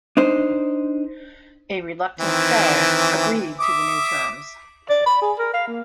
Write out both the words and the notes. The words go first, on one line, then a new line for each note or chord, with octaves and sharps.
A reluctant Fell agreed to the new terms.
D4 D#4 C5
D#3 E3 C4
E5 D6 D#6
D5
B5
G#4
A#4
F5
A#3